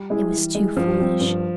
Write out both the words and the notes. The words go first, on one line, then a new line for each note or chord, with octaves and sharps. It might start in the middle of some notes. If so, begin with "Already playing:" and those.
It was too foolish.
Already playing: G3
G#3 E4 G#4
E3
G#3 E4 G#4
G2 F3
G3 C4
G2